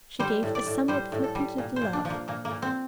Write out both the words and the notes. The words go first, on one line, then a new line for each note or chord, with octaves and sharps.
She gave a somewhat flippant little laugh.
G3 C5
A2
D5
A2
G3 C5
A2
A4
G3
A#2
C5
A#2
D4
F3
A#3
A#2 A#3
A#3
A#2
C4